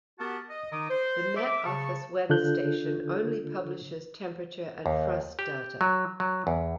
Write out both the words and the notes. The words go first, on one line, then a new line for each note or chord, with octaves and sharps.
The Met Office weather station only publishes temperature and frost data.
B3 F#4 G4 A#4 F#5 A5
D#5
D#3 D#4 D#5 A#5 D6 D#6
C5
E5 D6
C#3 A5 C#6
D3 D4 F4 A4 F#6 G6
D#2
G4
F#3
F#3
E2